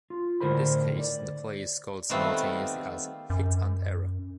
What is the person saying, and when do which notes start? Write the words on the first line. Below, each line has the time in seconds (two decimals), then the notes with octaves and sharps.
In this case, the play is scored simultaneously as “hit and error”.
0.10 F4
0.41 A2 D3 E4 A#4 C5 B5
0.99 D5
2.10 D#3 G3 A3 B3 C4 F4
3.30 F#2